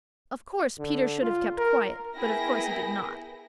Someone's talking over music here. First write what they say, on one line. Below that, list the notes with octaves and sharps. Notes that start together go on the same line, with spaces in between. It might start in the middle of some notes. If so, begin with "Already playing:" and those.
Of course Peter should have kept quiet, but of course he did not.
D3
F4
A#4
B3 E4 G#4 A#4 G5 A#6